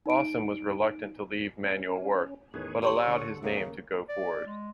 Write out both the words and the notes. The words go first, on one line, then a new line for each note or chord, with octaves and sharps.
Lawson was reluctant to leave manual work, but allowed his name to go forward.
D#4 D7
C#4
A1 E2 D#3 G#4 B4 C#5
G4 C#5 G5 C6 C#6 D#6
D2 D3 A4 F#5
D#2 C#3 A#3
D5
G#3